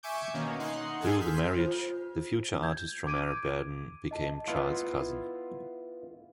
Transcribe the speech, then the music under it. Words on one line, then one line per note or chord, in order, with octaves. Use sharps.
Through the marriage, the future artist Romare Bearden became Charles' cousin.
E5 G#5 C#6 D6 G6
B2 D#3 A#3 C#4
D#4 F#5 C6
G#4 A4 G#5 C6
C6 F6 G6 B6
F4 C5
G6 G#6
D6 G#6 D7 D#7
D#5 A5
B3 E4 F4